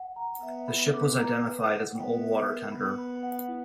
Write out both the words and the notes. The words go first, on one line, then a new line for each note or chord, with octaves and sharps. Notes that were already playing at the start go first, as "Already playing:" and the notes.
The ship was identified as an old water tender.
Already playing: F#5
A#5
B3 E5
B5
D6
A#5
B4
F#5
B3 G5
E5
A#4
B3 B5
B5
F#5
E4